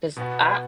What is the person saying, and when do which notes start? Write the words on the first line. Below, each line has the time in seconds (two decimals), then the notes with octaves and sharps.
'Cause I
0.16 B2 B3 F#4